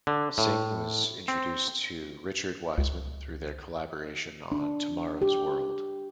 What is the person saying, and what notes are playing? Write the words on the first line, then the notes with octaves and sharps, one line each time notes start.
Singh was introduced to Richard Wiseman through their collaboration on"Tomorrow's World".
D3
A2
C4
C#2
D4
G4